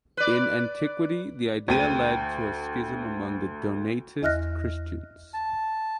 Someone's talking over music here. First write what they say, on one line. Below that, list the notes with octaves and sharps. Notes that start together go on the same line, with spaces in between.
In antiquity, the idea led to a schism among the Donatist Christians.
B4 D5
D2 G5 D#7
E2 D#5 E5 F6 F#6 A#6
A5